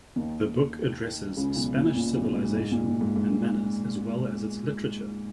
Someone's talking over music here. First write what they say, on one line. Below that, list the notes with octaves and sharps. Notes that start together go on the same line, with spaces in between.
The book addresses Spanish civilization and manners as well as its literature.
D#2 D#3
C#2 C#3
B1 B2
A#2
A#2
B1 B2
G#2
G#2
A#2
A#2
G#2
G#2